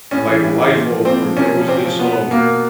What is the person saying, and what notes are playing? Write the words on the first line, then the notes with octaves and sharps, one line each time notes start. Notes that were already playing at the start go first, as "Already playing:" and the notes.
like, life altering, there was this, um
A2 C#4
E3
A2
E3
A#2
F3
A#2 C4
F3
C3 C#4
F3
C3 C4
F3
B2 B3
B2 A#3